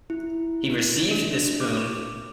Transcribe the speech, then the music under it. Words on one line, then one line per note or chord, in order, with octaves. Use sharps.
He received this boon.
E4
D4
D6